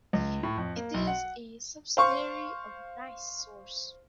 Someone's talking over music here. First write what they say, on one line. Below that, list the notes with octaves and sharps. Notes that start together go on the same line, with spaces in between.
It is a subsidiary of NiSource.
C#2
A2
F2
A#3
B1
F#5
C5 F5 C#6